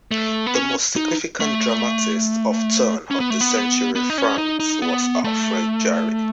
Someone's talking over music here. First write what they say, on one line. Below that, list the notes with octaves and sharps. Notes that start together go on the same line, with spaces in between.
The most significant dramatist of turn of the century France was Alfred Jarry.
A3
B3
C#4
D#4
A3
C#4
B3
A3
B3
B3
D#4
C#4
D#4
D#4
B3
A3